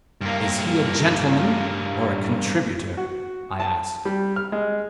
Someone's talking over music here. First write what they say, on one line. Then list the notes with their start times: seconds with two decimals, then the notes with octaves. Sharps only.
"Is he a gentleman or a contributor?" I asked.
0.21 G2 A#3
2.97 F#4
3.59 A5
4.05 G3
4.36 F6
4.52 G#3